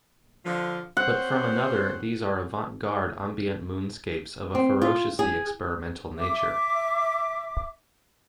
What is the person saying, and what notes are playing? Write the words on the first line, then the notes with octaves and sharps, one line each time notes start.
But from another these are avant garde ambient moonscapes of a ferociously experimental nature.
D3 F3
C4 C#4 C5 F#5
C4
F4
G#4
E5 D6